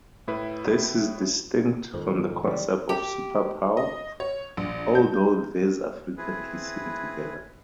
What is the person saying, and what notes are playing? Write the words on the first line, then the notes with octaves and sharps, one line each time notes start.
This is distinct from the concept of superpower, although these are frequently seen together.
A2 E4 B4
F2 G#2 D#3
C#3 E3 G3
G4
D#5
C#5
A#1
G6
C4 E4 G#4 B4